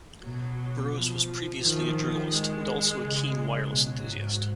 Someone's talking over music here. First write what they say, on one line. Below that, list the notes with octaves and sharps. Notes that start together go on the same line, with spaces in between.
Burrows was previously a journalist and also a keen wireless enthusiast.
B2 F#3
F3
D#3 F3
G#3
C#3
B2 F#3
G#2